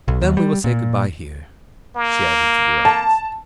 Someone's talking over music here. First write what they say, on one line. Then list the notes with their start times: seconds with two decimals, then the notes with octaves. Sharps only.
"Then we will say good-bye here," she added to Durrance.
0.08 B1
0.21 D#2
0.37 G3
0.64 A#2
1.96 A#3
2.85 A5